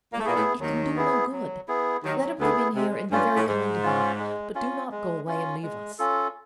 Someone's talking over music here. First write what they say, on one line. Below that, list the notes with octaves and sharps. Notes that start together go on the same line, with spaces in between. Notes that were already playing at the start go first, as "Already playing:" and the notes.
But it can do no good. Let him come in here, and be very kind to him; but do not go away and leave us.
A#3
A3
A#2 A#3 B3 E4 G#4
A2 A3
D#2 D#3 F#3
B3 E4 G#4
F#3
B3 E4 G#4
D#2 D#3 F#3
D2 D3 B3 E4 G#4
C3 G#3
G2 C#4 F4
A2
G#2 G#3
C#4 F4
G#3
C#4 F4
G#3
C#4 F4
G#3
C#4 F4 A4